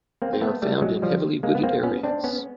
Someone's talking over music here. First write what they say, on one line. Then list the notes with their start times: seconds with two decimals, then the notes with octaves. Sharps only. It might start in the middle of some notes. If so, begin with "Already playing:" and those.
They are found in heavily wooded areas.
0.22 A#3 C4
0.33 C4
0.42 A3 B3
0.62 G3 A3
0.82 F#3 G#3
1.02 F3 G3
1.43 G#3 A#3
1.55 B3
1.63 A#3 C4
1.83 B3 C#4
2.04 C4 D4
2.24 B3 C#4